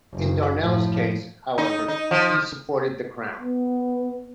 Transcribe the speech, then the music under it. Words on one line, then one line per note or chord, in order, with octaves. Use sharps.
In Darnell's Case, however, he supported the Crown.
F#1
A2 F3
D#4
D#4
F3
B3